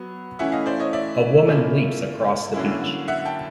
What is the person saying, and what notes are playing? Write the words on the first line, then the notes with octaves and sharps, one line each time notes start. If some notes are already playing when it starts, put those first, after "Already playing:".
A woman leaps across the beach.
Already playing: F#3 B3
E3 A3 C#4 E4 E5 F#5
D#5 F5
C5 D5
C#5 D#5
D5 E5
F3 A#3 C#4 E4
D3 F#3 A#3 C#4 E4
E5 F#5
G5 A5